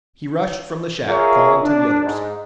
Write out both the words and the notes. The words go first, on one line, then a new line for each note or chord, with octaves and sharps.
He rushed from the shack, calling to the others.
F4 G#4 A#4 C#5 E5 F5
D4
G#2